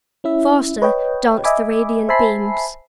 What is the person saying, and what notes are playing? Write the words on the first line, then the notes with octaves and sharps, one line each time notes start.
Faster danced the radiant beams.
C#4 E4 E5
B4 C#5 D#5 G5
D#5 E5 G#5 B5 D6
C5 E5 G#5 A5 B5 C7